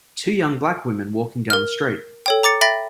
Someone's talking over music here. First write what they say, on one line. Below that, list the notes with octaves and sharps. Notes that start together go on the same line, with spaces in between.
Two young black women walking down the street.
A#4 F6
A4 C#5 G5
A#5 D6 A6 C#7
E5 G5 B5 A6 A#6